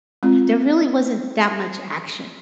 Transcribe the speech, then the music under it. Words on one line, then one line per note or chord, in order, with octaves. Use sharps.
there really wasn't that much action.
G#3 C4 F4